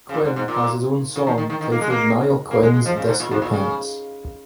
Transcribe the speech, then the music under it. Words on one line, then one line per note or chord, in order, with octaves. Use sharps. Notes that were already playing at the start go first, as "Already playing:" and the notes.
Quinn has his own song titled "Niall Quinn's Disco Pants".
C#3
A#2
G#2
G#2
A#2
C#3
D#3
D#3
D#3
D#3
A#3
G#3
A#3
A#3
G#3
G#3
F3
C#3
G#2
A#2
G#2
A#2
C#3